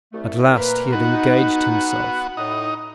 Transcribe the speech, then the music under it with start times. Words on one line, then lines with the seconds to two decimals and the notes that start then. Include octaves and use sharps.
At last he had engaged himself.
0.12 C2 A3
0.56 A#2 B4
0.92 B3 D#4 F#4
2.37 A2 D#4